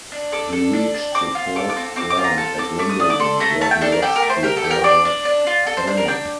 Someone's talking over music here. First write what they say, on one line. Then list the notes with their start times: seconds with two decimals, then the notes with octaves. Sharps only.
He reached the fourth round at Wimbledon, where he lost to Bernard Tomic.
0.12 D4
0.32 A4 D6
0.53 A4
0.73 D4
0.94 D4
1.15 C4 D6
1.35 F4
1.55 A4 D6
1.70 D6
1.77 C4
1.96 C4 D6
2.10 D6
2.18 F4
2.24 A#5
2.38 A4 A5
2.58 C4 D6
2.79 A3 D6
2.89 D#6
2.99 D4 D#6
3.10 D6
3.20 A4 C6
3.40 A3 A#5
3.61 A3 A5
3.71 G5
3.81 D4 A4
3.92 A#4
4.02 G4 A4
4.16 A#4
4.22 A3
4.30 C5
4.43 G4 A#4
4.57 A4
4.64 G4
4.71 A#4
4.84 D4 D5
5.05 D4
5.25 D4
5.47 F4
5.67 A4
5.77 C5
5.87 D4 C5
5.97 A#4
6.08 D4 G5